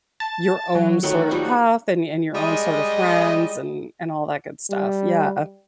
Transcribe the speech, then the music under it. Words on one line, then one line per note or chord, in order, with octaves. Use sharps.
your own sort of path and and your own sort of friends and and all that good stuff. Yeah.
A5
F#3
D#3 F#3 A3 F#4
F3 G3 D#4
G3 G#3 D#5
G3